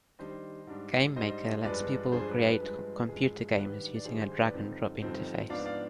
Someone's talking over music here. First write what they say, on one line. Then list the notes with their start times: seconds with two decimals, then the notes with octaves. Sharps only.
Game Maker lets people create computer games using a drag-and-drop interface.
0.19 D#3 G3 D4 C5 D#5
0.67 G#2 G3 D4
1.16 G#2 G3 D4 C5 D#5
1.64 G2 F3 G#3 D4 B4 D5
2.12 G2 F3 G#3 D4 G#4 C5
2.28 B4
2.45 B4
2.60 G2 F3 G#3 B4
3.08 G2 F3 G#3 G#4
3.57 G#2 D#3 G3 D4 B4
3.95 D5
4.05 G#2 D#3 G3 D4 G#4 C5
4.21 G#4 C5
4.38 B4 D5
4.53 G2 D3 F3 C4 D#4
5.02 G2 D3 F3 C4 D#4
5.49 G#2 F3 B3 D4 D5 F5
5.66 D5 F5